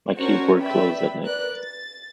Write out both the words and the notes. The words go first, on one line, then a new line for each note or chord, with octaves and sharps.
My keyboard glows at night.
C#4 D4 F#4 A#4 C5 C#6
B4 D5 E5 G5 B5
A#4 B4 D5 F#6
A6